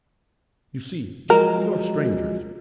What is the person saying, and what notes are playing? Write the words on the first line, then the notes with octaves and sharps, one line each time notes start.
"You see, we are strangers."
F3 F#3 G#3 A#4